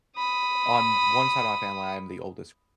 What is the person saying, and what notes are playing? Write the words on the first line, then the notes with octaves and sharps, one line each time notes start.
on one side of my family, I am the oldest,
B5 D#6